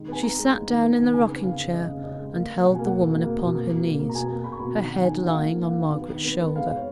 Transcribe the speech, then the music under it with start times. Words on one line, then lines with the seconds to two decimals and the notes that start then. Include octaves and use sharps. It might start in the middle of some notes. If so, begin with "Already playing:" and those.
She sate down in the rocking chair, and held the woman upon her knees, her head lying on Margaret's shoulder.
Already playing: D#3 G#3
0.08 B3 G#5
0.23 B3 A#5
0.38 G#3
0.53 G#3
0.68 D#3
0.83 B3
0.98 D#3
1.13 C#3 G#5
1.28 B3
1.43 C#3 F5
1.59 C#3
1.73 G#3 D#5
1.89 C#3
2.04 C#3 D#5
2.19 G#3
2.33 A#3 F5
2.49 A#3
2.64 B2 F#5
2.75 A#3 G#5
2.85 F#5
2.94 A#3
3.09 A#3
3.24 A#3
3.38 B2
3.55 A#3
3.69 B2
3.84 A#3
3.99 A#3
4.09 A#5
4.15 B2 G#5
4.29 A#3
4.44 B2 B5
4.52 C#6
4.59 B2 B5
4.75 D#3 A#5
4.89 D#3 F#5
5.04 D#3 G#5
5.20 D#3 F5
5.34 A#3 F#5
5.50 A#3
5.64 A#3
5.80 D#3
5.95 B3
6.11 D#3
6.24 B3
6.40 B3
6.55 G#3 F5
6.70 G#3
6.77 C#5